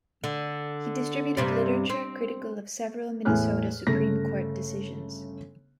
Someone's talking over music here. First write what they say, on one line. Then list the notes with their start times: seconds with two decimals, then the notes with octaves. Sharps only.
He distributed literature critical of several Minnesota Supreme Court decisions.
0.24 D3
1.37 G2 C3 G3
1.90 C4
3.25 E2 A2 G#5 F6 F#6
3.87 G1 C#3 A3 A#6